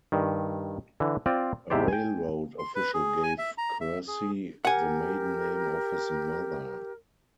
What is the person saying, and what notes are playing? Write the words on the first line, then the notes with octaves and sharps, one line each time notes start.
A railroad official gave Kersey the maiden name of his mother.
G2 D#3
D3 E3
C4 F4 D5
G#2 C3 E4 G4 C5 D5
G5 G#5
C6
B4
G#4
G#5
E5
A#5
E5
G#4
G4 A#4 F#5 G#5